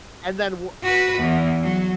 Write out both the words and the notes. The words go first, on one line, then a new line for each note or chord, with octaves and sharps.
and then w
F#4 B4
E2
F#3